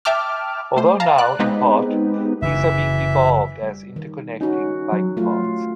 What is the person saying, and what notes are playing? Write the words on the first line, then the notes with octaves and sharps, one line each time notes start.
Although now, in part, these are being devolved as interconnecting bike paths.
E5 G5 A5 D6 F6
A3 C5
F5 A5 A#5
D5 F#6
G#3 B3 C4 D#4 G4 B4
F#1 E3 E5
G3
D#3
C#4 D#4 F#4
F#3
A3 F4